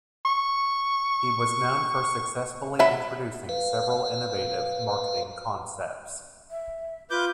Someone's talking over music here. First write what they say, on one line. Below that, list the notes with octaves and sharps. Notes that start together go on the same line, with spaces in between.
He was known for successfully introducing several innovative marketing concepts.
C#6
F#3 E5 B5
B4 F5
E5
F4 B4 D6 G6